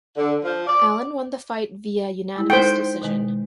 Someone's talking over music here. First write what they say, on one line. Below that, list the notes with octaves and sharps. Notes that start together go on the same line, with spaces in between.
Allen won the fight via unanimous decision.
D3
F3
D5
G#3 E4
D#4 A4 C5 G5
B2 D#3 G#3